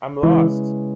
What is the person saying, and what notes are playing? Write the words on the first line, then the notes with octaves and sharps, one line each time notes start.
I am lost!
C#3 E3 G#3 C#4 E4 B4